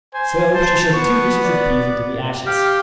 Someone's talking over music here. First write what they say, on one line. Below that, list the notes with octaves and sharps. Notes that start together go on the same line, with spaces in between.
So she shook two dishes of peas into the ashes.
C5 G#5
C5 A5
B3 C#6
D5
G4 F5